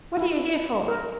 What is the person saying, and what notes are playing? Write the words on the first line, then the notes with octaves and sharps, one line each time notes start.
"What are you here for?"
E4
A#4